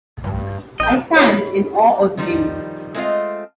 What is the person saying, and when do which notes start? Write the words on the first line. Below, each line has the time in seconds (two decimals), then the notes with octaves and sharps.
I stand in awe of him.
0.24 G2
0.80 A1 D#5 G5
1.16 C#5 B5
2.17 D#3 F3 G3 D#4
2.94 G#3 A3 C4 F4 D#5 F5